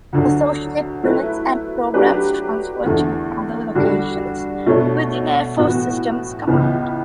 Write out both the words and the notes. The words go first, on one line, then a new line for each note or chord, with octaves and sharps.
Associate units and programs transferred to other locations within Air Force Systems Command.
D2 D3 F#3
F#3 A3 E4 B4
F#3 A3 D4 G4 B4
E2 D3 A3
D3 G3 D4 F#4
B2 A3 D4 F#4 C#5
A2 E3 B3 F#4
C#2 C#3 E3 B3